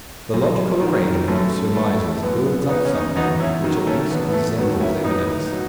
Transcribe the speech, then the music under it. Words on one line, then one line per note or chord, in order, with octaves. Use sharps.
The logical arrangement of surmises builds up something which at least resembles evidence.
F#2
D#3 F#3
F#2 A3 C#4
E3 A3
F#2 B3
B3
E3 B3 D#4
C#4
B3 D#4
E2 D#4 F#4
C#4 E4
D#3 F#3
A3 C#4
E2 B3
B3
A3
D#3 F#3 B3
C#4 E4
A2 B3 D#4
F#3